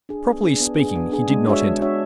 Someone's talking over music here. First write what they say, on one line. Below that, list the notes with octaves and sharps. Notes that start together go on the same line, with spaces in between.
Properly speaking, he did not enter.
D4 G#4
B3
D4 G#4
B3
D4 G#4
B3
D4 G#4
G#3
D4 F#4 C#5 E5
G#3
D4 F#4 C#5 E5